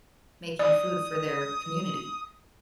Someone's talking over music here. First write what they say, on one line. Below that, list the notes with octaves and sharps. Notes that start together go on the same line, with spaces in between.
making food for their community.
D5 D#6